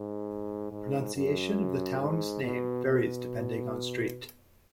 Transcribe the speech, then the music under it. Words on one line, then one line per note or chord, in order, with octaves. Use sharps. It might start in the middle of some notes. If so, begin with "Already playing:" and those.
Pronunciation of the town's name varies depending on street.
Already playing: G#2
G#2
F#2
G#2
B2
B2